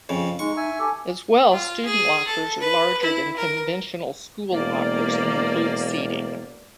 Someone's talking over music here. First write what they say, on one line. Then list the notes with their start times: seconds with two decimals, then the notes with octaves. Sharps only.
As well, student lockers are larger than conventional school lockers and include seating.
0.09 F2 C#3
0.39 G#3 D#4 C#6
0.57 E5 G#5
0.79 G4 A4 G#5
1.52 F4
1.85 G#4
2.27 A4
2.60 B4
3.02 E4
3.36 A#4
4.52 E1 A#3 D5